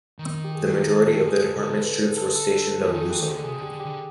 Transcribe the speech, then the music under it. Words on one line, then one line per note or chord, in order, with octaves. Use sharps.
The majority of the department's troops were stationed on Luzon.
D#3
G4
G#4
A4
A4
A4
D3 G#4
A4
C#3
D3 A4
C#3
D#3
D3 B4
A4
A4
A4
E3
D#3 G#4
E3 G4
D#3
D3 F#4
C3 G#4
D3
G4
D3
G4
D3